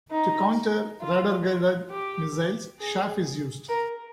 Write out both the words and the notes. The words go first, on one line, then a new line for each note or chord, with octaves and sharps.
To counter radar-guided missiles, chaff is used.
D#4
F4
G4
G#4
A#4